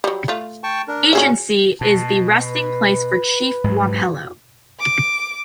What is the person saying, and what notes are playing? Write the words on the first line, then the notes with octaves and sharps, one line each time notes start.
Agency is the resting place for Chief Wapello.
F#3 G3
A3 F4
G5 A5 C#6
D4 A#4
A#2 C#4 F#4 G#4 E5
B2 A5
B4
G#2 F#3
D6